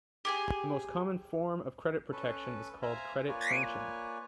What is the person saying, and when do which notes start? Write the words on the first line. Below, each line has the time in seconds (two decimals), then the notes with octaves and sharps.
The most common form of credit protection is called credit tranching.
0.25 G4 G#4 G#5
2.12 C#4 A4 B4
2.82 C5 E5 F5 G#5 A#5
3.28 A#3 F4 B4 C#5 D5 G#5